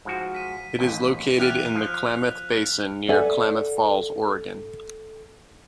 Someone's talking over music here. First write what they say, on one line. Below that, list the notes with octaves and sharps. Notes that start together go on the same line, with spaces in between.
It is located in the Klamath Basin near Klamath Falls, Oregon.
G#2 F3 F#4
B6 D#7
A1 D#2
E2 G4 F6 F#6 F7
F3
A4 D5 E5 F#5 G#5